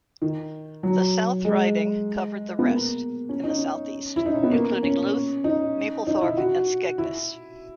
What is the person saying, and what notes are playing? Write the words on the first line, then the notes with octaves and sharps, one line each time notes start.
The South Riding covered the rest, in the south-east, including Louth, Mablethorpe and Skegness.
D#3
F#3
G#3
B3
A#3
C#4
D#4
C#4
E4
D#4
C#4
B3
A#3
C#4
D#4
D#4
E4
F#4
E4